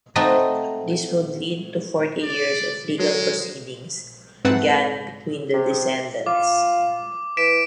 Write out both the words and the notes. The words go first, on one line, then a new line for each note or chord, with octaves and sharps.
This would lead to forty years of legal proceedings began between the descendants.
A3 C4 D#4 F#4 D#5
D5
F#3 G#3
G#2 C4 B4 E5 F#5 A5
C3
F4 D6
E3 B6 D7 E7